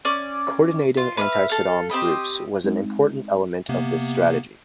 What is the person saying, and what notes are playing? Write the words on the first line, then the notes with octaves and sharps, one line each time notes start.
Coordinating anti-Saddam groups was an important element of this strategy.
C#4 D5
F4
B4 D5 E5 F5
A4 F5
C4 G4 D#5 B5
G#3 C4 D#4
C3 A#3 B3